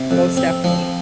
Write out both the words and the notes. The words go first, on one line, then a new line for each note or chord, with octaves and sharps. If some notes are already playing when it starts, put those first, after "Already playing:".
Most definitely.
Already playing: C3
F2
C4
F3